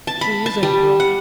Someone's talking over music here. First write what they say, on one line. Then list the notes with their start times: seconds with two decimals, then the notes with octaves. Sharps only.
"She is emperor."
0.07 A5
0.21 B5
0.46 A5
0.63 G3
1.00 F#5